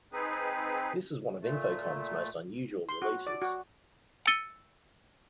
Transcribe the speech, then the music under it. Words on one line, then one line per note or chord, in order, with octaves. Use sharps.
This was one of Infocom's most unusual releases.
C4 D#4 G#4 B4
A#2 A3
C6
F#4
D5
F#4
E6 A6 C#7 D#7 G7